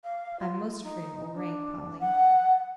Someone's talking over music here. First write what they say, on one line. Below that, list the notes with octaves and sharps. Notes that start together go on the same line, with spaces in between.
"I'm most afraid it will rain, Polly."
F5
F4
D#4
D4
F#5